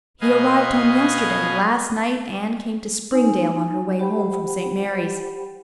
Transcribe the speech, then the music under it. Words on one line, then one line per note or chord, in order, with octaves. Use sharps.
He arrived home yesterday and last night Anne came to Springdale on her way home from St. Mary's.
B2 B4 D#5 F5 G#5 G#6
D#4 G#5
G4 C5 F#5 G5 B5